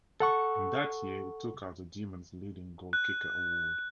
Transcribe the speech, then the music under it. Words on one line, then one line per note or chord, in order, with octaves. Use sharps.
In that year he took out the Demons' leading goalkicker award.
A4 F#5 C#6
F#6